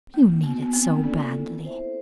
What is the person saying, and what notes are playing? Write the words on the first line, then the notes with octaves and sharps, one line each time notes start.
You need it so badly....
A#3 C4
B3 D#4 F#4
B3
A#3 C4
C#4 D4 F4 A4 D5
E4
A4 C5 E5